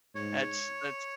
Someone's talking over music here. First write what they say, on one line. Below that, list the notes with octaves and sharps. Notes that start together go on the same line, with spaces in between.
That's that's,
G#2 C#5